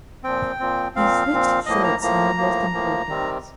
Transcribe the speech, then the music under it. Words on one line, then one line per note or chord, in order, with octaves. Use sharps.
He 'switched' shirts no less than four times.
A#2 F3 C4 G5
A#2 F3 C4
A#2 F3 C4 F5
A#2 F3 C4
A2 F3 A#3 D#5
A#5
A2 F3 A#3 A#5
A2 F3 A#3
A2 F3 A#3
C3 D#3 G3 C4